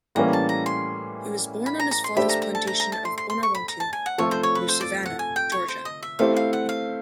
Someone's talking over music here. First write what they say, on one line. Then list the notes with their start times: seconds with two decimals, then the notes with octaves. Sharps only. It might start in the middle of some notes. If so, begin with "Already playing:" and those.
He was born on his father's plantation of "Bonaventure", near Savannah, Georgia.
0.15 A2 E3 G3 A#3 C#4 A#5
0.33 A5
0.49 A#5
0.66 C6
1.66 B5
1.80 A#5
1.91 A#5
2.04 C6
2.16 A3 D4 G4 C5 E5 B5
2.29 A#5
2.42 A#5
2.55 A5
2.67 A#5
2.80 A#5
2.92 A5
3.05 C6
3.18 C6
3.30 C6
3.43 C#6
3.55 B5
3.68 A#5
3.80 A5
3.93 G#5
4.06 F#5
4.18 F3 A3 C4 F4 A4 C#5
4.31 C5
4.43 C#5
4.55 B4
4.68 C5
4.81 D5
5.06 F#5
5.19 G#5
5.36 G5
5.52 C#5
5.68 C5
5.85 D#5
6.03 E5
6.19 A3 C4 E4 G4 C5 F5
6.36 F5
6.53 F#5
6.69 F5